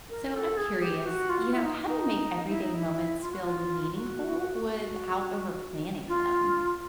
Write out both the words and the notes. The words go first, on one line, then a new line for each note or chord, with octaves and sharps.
So, I'm curious, you know, how do you make everyday moments feel meaningful without over-planning them?
A#4
A4
G#4
G4
F#4
F4
E4
D#4
D#4
E4
D#4
E4
F4
F#4
F4
F#4
F#4
F4